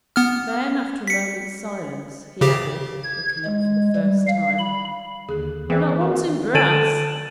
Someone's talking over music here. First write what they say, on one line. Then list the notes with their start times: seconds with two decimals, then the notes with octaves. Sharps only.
Then, after a moment's silence, he added, looking up for the first time: 'I'm not wanting brass.
0.16 B3 F6
1.07 B6 C#7
2.41 C#3 G4
3.03 G#6
3.46 G#3
3.95 G3
4.27 F5
4.59 B5
5.29 D#2 D3 G#4 F#6
5.70 E3 A#3 C4 G#4 D5 E5
6.01 D#3 A#4
6.55 D3 A4 A6 D7 D#7 F#7